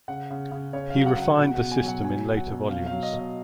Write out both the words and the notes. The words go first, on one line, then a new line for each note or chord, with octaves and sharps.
He refined the system in later volumes.
C#3 F#5
C#3
C#3
C#3 C#5
F5
F#3
F#5
C#3
F#5
B2 F#5
F#5
B2
G#5
F#3
F#5
F#3 G#5
F#3
F#5
B2
F#3 F5
F5
F#3
D#5
B2
D#5